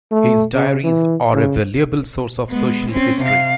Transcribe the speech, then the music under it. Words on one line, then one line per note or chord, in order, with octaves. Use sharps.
His diaries are a valuable source of social history.
A3
C#3
E3
C#3
G#3 B3
C4 C#4
C3 F5